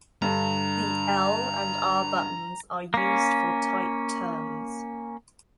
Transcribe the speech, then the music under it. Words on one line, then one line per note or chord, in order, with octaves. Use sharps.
The L and R buttons are used for tight turns.
G2 D3 A#5
A#3 C#4